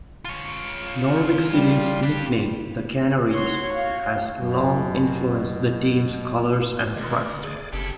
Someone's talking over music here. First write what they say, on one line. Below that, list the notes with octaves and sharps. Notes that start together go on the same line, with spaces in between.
Norwich City's nickname, "The Canaries", has long influenced the team's colours and crest.
F4 C#5
G3
D4 G4
F#4 C#5 C6
F5
F#2 B2
D2 B2 D#3 G#3
G#4 D5
F#1 C#4 G4 A4 B5